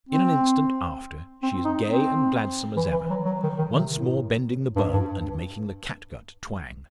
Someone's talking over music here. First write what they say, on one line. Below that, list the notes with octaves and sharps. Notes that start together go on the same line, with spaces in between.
In an instant after, she is gay and gladsome as ever; once more bending the bow, and making the catgut twang.
C4
C4
D#4
C4
E3
E3
F#3
F#3
D#3
D#3
C3
A2
G2
G2